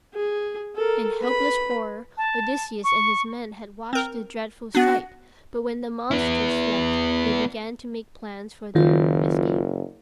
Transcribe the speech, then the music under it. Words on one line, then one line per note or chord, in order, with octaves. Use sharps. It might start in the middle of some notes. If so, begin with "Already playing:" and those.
In helpless horror Odysseus and his men had watched the dreadful sight, but when the monster slept they began to make plans for their escape.
G#4
A4 A#4
B4 B5
A5
C#6
C4 A#4
B3 D4 F#4
B3 E4
F#1 D#3 F4